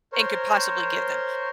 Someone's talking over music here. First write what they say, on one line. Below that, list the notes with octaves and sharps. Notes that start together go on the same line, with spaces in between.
and could possibly give them.
A#4 C5 C#5